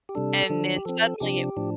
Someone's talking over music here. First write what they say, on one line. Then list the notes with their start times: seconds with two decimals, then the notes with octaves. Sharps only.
And then suddenly it
0.09 G4
0.15 C3 G3 D4 A4
0.50 D3 F3 D4
0.76 G4
0.85 F3 C4 A4
1.03 A4
1.20 C3 F3 D4 G4
1.57 A2 F3 D4